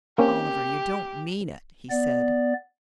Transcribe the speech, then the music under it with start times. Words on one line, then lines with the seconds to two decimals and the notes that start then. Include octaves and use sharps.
"Oliver, you don't mean it," he said.
0.18 A#3 C4 C#4 G4
1.90 B3 D5